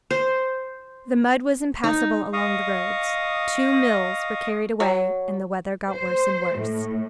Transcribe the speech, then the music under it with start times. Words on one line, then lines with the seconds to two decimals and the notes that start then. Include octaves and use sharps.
The mud was impassable along the roads; two mills were carried away, and the weather got worse and worse.
0.11 C5
1.84 D#4
2.33 D#5 F5 C#6 D#6
4.80 F#3
5.90 C5
6.55 A2